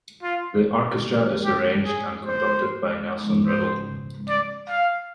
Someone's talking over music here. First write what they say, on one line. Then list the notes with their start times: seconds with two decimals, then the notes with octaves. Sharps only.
The orchestra is arranged and conducted by Nelson Riddle.
0.23 F4
1.45 G4
1.85 G#4
2.26 C5
3.47 C5
4.29 D5
4.69 F5